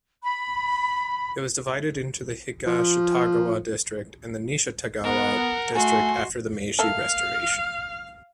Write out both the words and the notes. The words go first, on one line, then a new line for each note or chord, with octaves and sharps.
It was divided into Higashitagawa District and Nishitagawa District after the Meiji restoration.
B5
F3
B3 A#4 F#5
A3 F#4 G#5 C6
A#3 A4 E5 F5